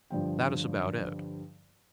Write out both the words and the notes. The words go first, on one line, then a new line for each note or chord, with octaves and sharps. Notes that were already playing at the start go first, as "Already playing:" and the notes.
That is about it.
G2 D3 F3 G5